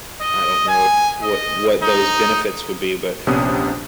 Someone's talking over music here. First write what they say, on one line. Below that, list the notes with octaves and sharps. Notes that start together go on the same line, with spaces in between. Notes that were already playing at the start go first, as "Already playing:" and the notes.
I don't know what what those benefits would be, but
D#5
G#5
D#5
D#4
A#1 C3 B3 C#4 D4 D#6